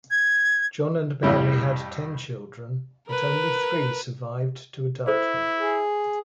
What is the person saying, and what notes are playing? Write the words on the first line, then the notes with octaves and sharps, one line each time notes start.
John and Mary had ten children, but only three survived to adulthood.
G#6
F2 A2 E3 G3 E4
A#4 B4
E4 A4 C5
G#4